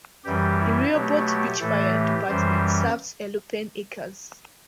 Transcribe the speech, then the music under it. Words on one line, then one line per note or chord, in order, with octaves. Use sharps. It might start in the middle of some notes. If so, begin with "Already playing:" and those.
The Rehoboth Beach Fire Department serves Henlopen Acres.
F#2 E3 G3 G4
E4
B2 F#3 A3 G4
G4
A2 E3 A3 A4
G4
F#2 E3 G3 C5